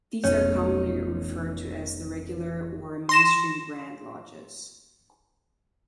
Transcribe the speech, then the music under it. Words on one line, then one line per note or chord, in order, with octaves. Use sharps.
These are commonly referred to as the "regular" or "mainstream" Grand Lodges.
F1 B1 C#4 D#4 C#5
C6 A#6 E7